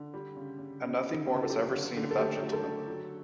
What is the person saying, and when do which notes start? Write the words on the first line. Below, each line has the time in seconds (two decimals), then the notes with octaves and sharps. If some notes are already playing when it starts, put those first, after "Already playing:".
And nothing more was ever seen of that gentleman.
Already playing: D3
0.14 G3
0.36 C#3
0.58 C#3
0.82 C#4
1.05 G3
1.27 C#3
1.43 A4
1.50 F#3 G4
1.73 D3
1.97 D3
2.11 A4
2.18 A3 G4
2.42 F#3
2.53 A4
2.64 D3
2.87 F#3